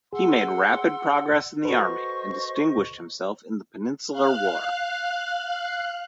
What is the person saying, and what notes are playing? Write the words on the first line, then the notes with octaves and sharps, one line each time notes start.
He made rapid progress in the Army and distinguished himself in the Peninsular War.
G#4 F#5 C6 E6
F#4 A4 B4 C5 D#5 C#6
F5 F#6